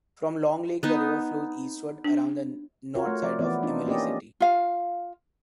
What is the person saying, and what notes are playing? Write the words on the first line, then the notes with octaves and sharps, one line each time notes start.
From Long Lake, the river flows eastward around the north side of Imlay City.
B3 D#4
D4
F4 F#4 A#4 C#5
A3
F3 D5
E3 B3 E4 D5
B3 D4 D#4 F4
A#3 C#4 G4 D5 D#5
F4 F5